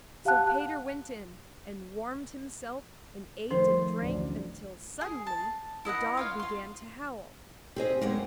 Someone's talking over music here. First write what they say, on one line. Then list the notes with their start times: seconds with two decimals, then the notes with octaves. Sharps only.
So Peter went in and warmed himself and ate and drank, till suddenly the dog began to howl.
0.25 G4 F5 F#5 A5 F#6
3.51 D#3 F3 A3 C5
4.01 A1 D2 D5
5.01 G#4
5.27 A5
5.85 E4 D#5 E5 F#5
6.17 F4 C#5 F5
6.39 F4 C6
7.76 C4 G4 G#4 C5 D#5
8.01 F#2 G#3 A#3 B3 F#5